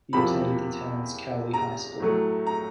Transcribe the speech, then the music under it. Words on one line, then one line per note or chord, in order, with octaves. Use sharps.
He attended the town's Cowley High School.
E2 C3 F3 A#3 B5
A#5
A2 F#3 A3
A#5